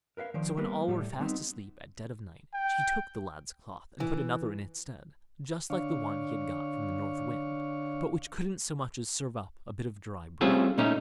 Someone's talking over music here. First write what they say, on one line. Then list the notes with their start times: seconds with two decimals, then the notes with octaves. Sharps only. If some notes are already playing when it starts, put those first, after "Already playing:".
So, when all were fast asleep at dead of night, she took the lad's cloth, and put another in its stead, just like the one he had got from the North Wind, but which couldn't so much as serve up a bit of dry bread.
0.17 A#4 B4 E5 F5
0.34 D#3 F3 C5 D5
0.57 G3 A#3 B3 A#4 B4
0.88 A2 G3 A3
1.20 G3 B3 C4 D#4
2.54 G5
4.00 E3
5.70 D3 D4 C#5 F5
10.41 G3 A3 C4 C#4 F4 G#4
10.78 A#2 A3 C#4 D#4